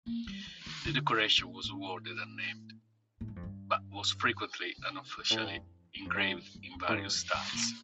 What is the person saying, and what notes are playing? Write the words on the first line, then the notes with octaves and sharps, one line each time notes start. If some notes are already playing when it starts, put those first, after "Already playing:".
The decoration was awarded unnamed, but was frequently unofficially engraved in various styles.
A#3
G3
F3
D#3
D3
A#2
A2
A2
G2
F2
G2
C3
G2
A2
G2
F2
G2
F2
G2
G2
G2
F2
A2
G2
F2
G2
A#2